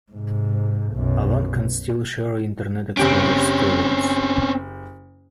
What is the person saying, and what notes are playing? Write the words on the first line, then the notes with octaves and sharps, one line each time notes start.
Avant can still share Internet Explorer's "Favorites".
G#2 C3
B1 F#2
F#1 C4 C#4 G4 D7